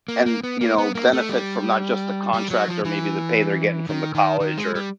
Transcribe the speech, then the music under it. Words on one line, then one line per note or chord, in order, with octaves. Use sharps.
And, you know, benefit from not just the contract or maybe the pay they're getting from the college or
A#3
A#3
B3
A#3
B3
A#3
A3
G3
G3
F#3
F3
E3
D#3
D#3
D#3
G#3
G3